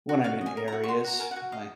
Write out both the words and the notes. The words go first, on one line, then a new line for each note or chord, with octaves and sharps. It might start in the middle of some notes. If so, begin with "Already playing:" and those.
when I'm in areas. My
F#4
F#4 F5
D#5
G#5
A#4
A#5
F#4
C#6
F#4 C6
F#4 A#5
A#4 G#5
F#5
F#4
D#5 F5